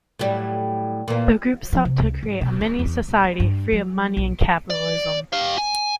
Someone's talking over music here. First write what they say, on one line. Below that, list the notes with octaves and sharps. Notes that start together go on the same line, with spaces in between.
The group sought to create a mini-society free of money and capitalism.
A2 F#3 G3
A#2 E3 A#3
F3
C3
C#2
G#2
B2
G#3
E2
A#1
G#3
G2
F#3
A#1
D5
G4 F5
G#5